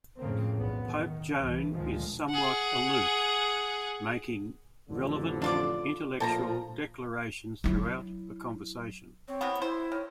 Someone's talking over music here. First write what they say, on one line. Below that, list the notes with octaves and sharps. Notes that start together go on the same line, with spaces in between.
Pope Joan is somewhat aloof, making relevant, intellectual declarations throughout the conversation.
F2 A2 C#3 A3 A#3 C4
B1 E2 G#2 B3
D#3
C2 G#2 E3
D2 A#2 D#3 F3 G#3
G#4 F#5
A1 F2 D3
D4 F4 D5
A#2 F3 A4 G#5 A#5
F#3 E4
C4 C#5
C3 E3 B3
E4 C5
D#3 C#5